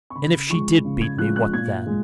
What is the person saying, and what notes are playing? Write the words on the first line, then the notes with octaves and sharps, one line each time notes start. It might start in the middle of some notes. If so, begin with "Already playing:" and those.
And if she did beat me, what then?
C#6
C#3 B5
F3 G#3 C#6
C#3
G#6
F3 G#3 F#6
F#6
A#2 G#6
G#3